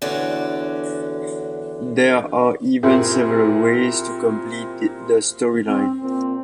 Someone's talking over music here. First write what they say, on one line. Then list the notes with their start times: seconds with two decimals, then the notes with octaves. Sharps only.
There are even several ways to complete the storyline.
0.02 E2 D3 F#4 C#5 D5
2.83 A#2 C4 E4 G4 G#4
5.66 C4
6.02 A#2 C4